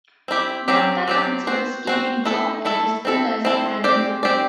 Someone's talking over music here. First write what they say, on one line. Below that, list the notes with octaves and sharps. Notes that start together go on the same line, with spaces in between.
Martha considers keeping John at the school as a handyman.
C4 E4 G4
F#3 C4 G4
F#3 C4 G4
C4 F#4 C5
C4 F#4 C5
A3 E4 A4
A3 E4 A4
C4 E4 A4
C4 E4 A4
C4 G4 D5
C4 G4 D5